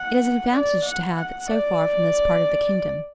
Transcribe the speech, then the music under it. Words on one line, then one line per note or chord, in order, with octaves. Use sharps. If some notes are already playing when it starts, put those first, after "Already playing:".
It is an advantage to have it so far from this part of the kingdom.
Already playing: F#5
D5
F#5
F#5
D5